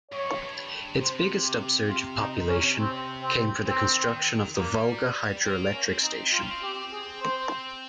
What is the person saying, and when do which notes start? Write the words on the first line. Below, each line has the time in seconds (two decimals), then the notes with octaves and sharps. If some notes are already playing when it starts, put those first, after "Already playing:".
Its biggest upsurge of population came for the construction of the Volga Hydroelectric Station.
0.11 G2 C#5
0.23 F2
0.34 G2
1.01 C3 C5
1.45 G4
1.89 F4
2.19 D#4
2.48 C#4
2.78 C4
3.22 C4
3.66 D#3 C4
4.55 G3 A#3
5.44 A#3 C4
5.73 C#4
5.89 C4
6.03 D#4
6.32 C4 F4
6.41 C#4
6.51 C4
6.63 G4
6.92 G#4
7.21 C5